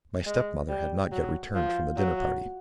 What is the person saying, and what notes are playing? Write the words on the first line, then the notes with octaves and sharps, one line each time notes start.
My stepmother had not yet returned from the dinner-party.
G#3
G3
F#3
F3
F#3